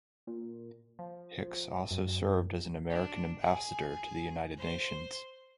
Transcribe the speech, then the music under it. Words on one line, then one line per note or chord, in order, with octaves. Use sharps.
Hicks also served as American Ambassador to the United Nations.
A#2
F3
F#2
D4
G#4 G#5
C5 C6